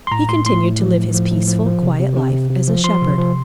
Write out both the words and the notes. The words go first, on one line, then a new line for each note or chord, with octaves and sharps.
He continued to live his peaceful, quiet life as a shepherd.
C6
A2 A#5
A2 C6
A2 C6
A2
F3
A2
F3
A2
F3
F3
C3
C3
C3
C3
C3
F3
F3 C6
C3
F3